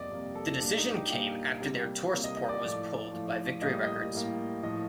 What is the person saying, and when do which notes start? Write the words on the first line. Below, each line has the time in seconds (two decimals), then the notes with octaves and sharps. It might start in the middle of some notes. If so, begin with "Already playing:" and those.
The decision came after their tour support was pulled by Victory Records.
Already playing: F2 C3 G3 A#3 D5 D#5
0.10 F2 C3 G3 A#3
0.35 A4
0.61 A#2 G3 A#3 D4
0.77 D#4
0.94 G4
1.10 A#2 G3 A#3 G4
1.60 C3 G3 A#3
2.11 C3 G3 A#3
2.24 D#5
2.36 D#5
2.49 D5
2.61 A2 F3 A3 D5
3.12 A2 F3 A3
3.62 A2 G3 A#3 D#5
3.83 D#5
4.13 A2 G3 A#3
4.63 A2 F3 A#3 D#5